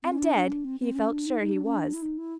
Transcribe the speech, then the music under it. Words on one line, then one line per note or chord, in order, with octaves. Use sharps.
And dead he felt sure he was.
C4
C#4
D4
D4
C#4
D4
C4
C4
C#4
D4
D#4
D#4
D4
C#4
D4
E4
D#4
E4